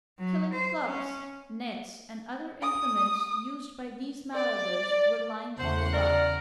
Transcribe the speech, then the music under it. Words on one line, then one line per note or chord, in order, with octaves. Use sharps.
Killing clubs, nets and other implements used by these marauders were lying all about.
F#3
C5
C#4
D#6
D5
E2 C#3 C5 F#5
A#4 D5